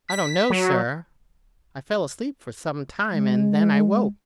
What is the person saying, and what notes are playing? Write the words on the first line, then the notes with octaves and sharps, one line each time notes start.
"I don't know, sir; I fell asleep for some time, and then I woke! . . ."
B6
F#3
G#3